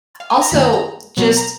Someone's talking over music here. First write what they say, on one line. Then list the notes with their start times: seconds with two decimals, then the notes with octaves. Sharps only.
Also, just
0.20 F5
0.30 G#5
0.41 A#5
0.51 F#2 D#3 A#3 B5
0.62 A#5
0.73 A#5
1.17 B2 F#3 B3
1.37 A#5